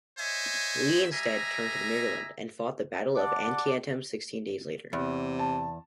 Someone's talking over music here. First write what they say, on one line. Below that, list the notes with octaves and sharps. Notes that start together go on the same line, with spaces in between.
Lee instead turned to Maryland, and fought the Battle of Antietam sixteen days later.
C5 C#5 D#5 E5 G#5
G3 D#5 E5 G#5 A#5
D5 F#5 A5 D6
E2 C3
A5